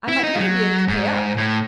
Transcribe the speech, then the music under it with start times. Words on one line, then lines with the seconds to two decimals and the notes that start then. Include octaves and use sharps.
"I might never be able to pay up!"
0.08 E4
0.24 D#4
0.36 G#3
0.40 F#3
0.88 G#2
1.37 A2